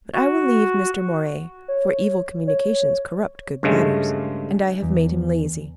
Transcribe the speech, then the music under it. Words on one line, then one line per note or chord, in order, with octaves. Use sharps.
But I will leave Mr. Moray, for 'evil communications corrupt good manners,' and I have made him lazy.
F#4
C#5
C#5
G2 C#3 G#3 A3
E2